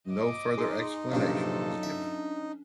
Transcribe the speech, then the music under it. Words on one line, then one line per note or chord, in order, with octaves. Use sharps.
No further explanation was given.
D#5 D6
D#4 G#4 C6
A#1 G2 C3 F#3 C#4 D4 F4 A4
E5